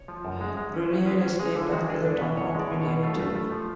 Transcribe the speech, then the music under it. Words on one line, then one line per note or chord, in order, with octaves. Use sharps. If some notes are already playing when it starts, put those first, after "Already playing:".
Brillion is named after the town of Brilon, in Germany.
Already playing: C#5
F3
F#2
G#3
G#3
C#4
C#4
G#3 B4
C#4
G#3 G#4
D3
G#3 F#4
D4 G#4
A4
D4
B4
B2
B2 C#5
G#3 D5
B2
B2 C#5
A3 F4
A3
A3
F3